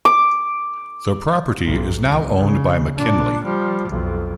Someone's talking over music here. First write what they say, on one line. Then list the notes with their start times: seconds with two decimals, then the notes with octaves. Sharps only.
The property is now owned by McKinley.
0.05 D6
1.64 B1 G#2
2.02 C#2
2.37 C#3
2.95 A#2 D4
3.44 F3 G3
3.89 B1 F2